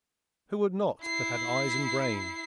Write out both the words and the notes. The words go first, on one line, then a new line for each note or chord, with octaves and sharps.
Who would not that had eyes and brain?
E4 C7